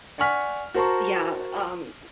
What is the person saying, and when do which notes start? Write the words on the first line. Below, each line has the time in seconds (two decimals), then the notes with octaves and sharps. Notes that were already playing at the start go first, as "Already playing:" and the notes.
yeah, um,
0.18 D5 F#5 G#5 C#6 F6 B6
0.74 F#4 A#4 C5 A5 A#5 C#6